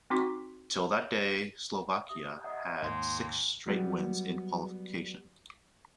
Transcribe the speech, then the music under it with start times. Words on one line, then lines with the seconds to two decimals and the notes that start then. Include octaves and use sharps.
Till that day, Slovakia had six-straight wins in qualification.
0.10 C4 D#4 F#4 C6 D6 B6
2.09 G4 E5 D#6
2.44 D#5 E5 F#5 D#6
2.82 D#2 G#2 C#5 C6
3.66 F#3 G3 B3